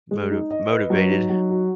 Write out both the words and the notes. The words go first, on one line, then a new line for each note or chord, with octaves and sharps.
moti motivated.
G#3
D#4
D#5
B4
F#3
D#4
F#3
F#4